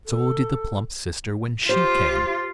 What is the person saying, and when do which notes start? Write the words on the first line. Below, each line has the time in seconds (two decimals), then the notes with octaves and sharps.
So did the plump sister when she came.
0.06 A4
1.69 F4 G4 C5